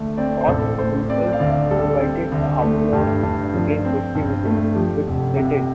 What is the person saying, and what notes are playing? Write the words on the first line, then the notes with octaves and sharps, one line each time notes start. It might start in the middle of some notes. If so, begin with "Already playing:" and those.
Scott himself invited the outlaws to drink whisky with him, which they did.
Already playing: D2 A3
C4 D5
C5
A1 A4
A3 C5
C4 D5
F5
D2 D5
G3 A4
C4
D2
A3
G2 G4
G2
F3
C4
G2
A3
F3 G4
F1
C3